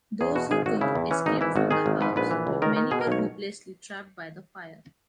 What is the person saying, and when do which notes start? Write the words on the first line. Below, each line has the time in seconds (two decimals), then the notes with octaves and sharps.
Those who could, escaped from the house, but many were hopelessly trapped by the fire.
0.21 E2 G#4
0.35 B2 F#4
0.51 G#1 G#4
0.66 G#1 F#4
0.81 C#3 E4
0.95 E2
1.11 E3 C#4
1.26 G#1 D#4
1.41 E3 E4
1.56 G#1 F#4
1.71 D#3 G#4
1.86 G#1
2.01 G#2 B4
2.16 A#1 B4
2.31 E3
2.47 C#2
2.62 D#3 A#4
2.76 D#3
2.91 B2 G#4
3.01 A#4
3.07 B1 C#5